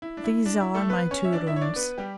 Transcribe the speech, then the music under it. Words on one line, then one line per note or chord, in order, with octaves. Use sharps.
These are my two rooms.
E4
D4
E4
D4
E4
A3 A4
B3 B4
C#4 C#5
E5
D4 D5
E4 E5
C#5
D4 D5
B3 B4
G3 G4